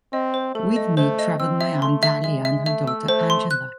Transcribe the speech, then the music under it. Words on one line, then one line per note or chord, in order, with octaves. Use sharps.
With me travelled my Aunt Dahlia and her daughter Angela.
C4 D#5
C5
A3 A4
D#5
A3 C5
D#5
C4 E6
E5
A3 C6
E5
G#3 E5
E5
A3 E5
E6
A3 C5
C6
F#6